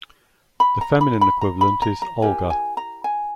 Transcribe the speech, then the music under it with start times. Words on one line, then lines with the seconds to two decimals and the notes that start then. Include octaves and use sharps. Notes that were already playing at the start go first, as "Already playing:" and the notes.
The feminine equivalent is Olga.
0.60 B5
0.81 A#5
1.01 B5
1.21 B5
1.41 A#5
1.61 B5
1.82 A#5
2.02 A#5
2.22 E4 G4 A#4 G#5
2.50 G#5
2.77 A#5
3.04 G#5